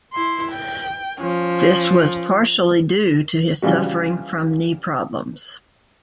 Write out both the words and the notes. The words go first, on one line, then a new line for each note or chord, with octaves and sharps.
This was partially due to his suffering from knee problems.
E4 C6
G5
F3 C#4
C#3 E3 F3 G3 F#4